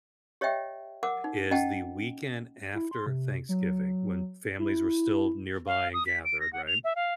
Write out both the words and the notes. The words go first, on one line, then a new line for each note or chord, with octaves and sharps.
is the weekend after Thanksgiving when families were still nearby and gathered, right?
G4 C#5 D#5 E5 G5
A#4 F#5 D6
D#4
C#4 D#5 F#5 G5 A5
E4
C6
C3
F#3
E4
F5
D#6
B6
D7
A#6
F#5
F7
E5
F5